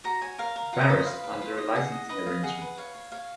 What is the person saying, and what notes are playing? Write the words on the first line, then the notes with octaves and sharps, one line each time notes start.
Barrus under a licensing arrangement.
F#4 A#5
C#5 G#5
A#4 F5
A#4
F4 F#5
A#5
F4 B5
D#5
B4 F5
B4
F4
D#5
G#4 F#5
D#5
B4 D#5
D#5 F5
G#4 F#5
B4
C#5 F5
C#5
C#5 F5